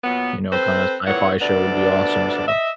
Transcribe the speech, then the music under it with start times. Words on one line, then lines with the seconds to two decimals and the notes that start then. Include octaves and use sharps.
you know, kinda sci-fi show would be awesome, so.
0.03 A#2 F#3 B3
0.51 C4 A4 B4 C5
1.06 F2 A#2 E3 C#5 F#5
1.40 D2 C3 B3 D4 D5
2.47 D#5 E5